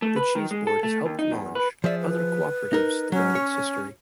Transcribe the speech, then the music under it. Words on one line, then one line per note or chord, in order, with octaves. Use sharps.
The Cheese Board has helped launch other cooperatives throughout its history.
A3
B4
D#3
G#3
A4
A3
D#2
D#4
E2
B4
F3 G#4 D5 E5
B4
D#4 A#4
F#3 C#4
C#5